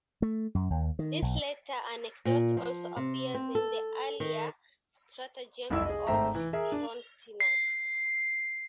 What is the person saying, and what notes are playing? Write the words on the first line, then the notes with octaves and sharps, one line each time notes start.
This latter anecdote also appears in the earlier "Stratagems" of Frontinus.
A3
F#2
D#2
D#3
B1
A#2
F3
C3
C4
A4
D#3
F1 C2 F2 C3 E4 E6
G#4 D#5
G#1 A3 C5 E5 G5 A#5
E3
G#4 A#4 E5
D4
C7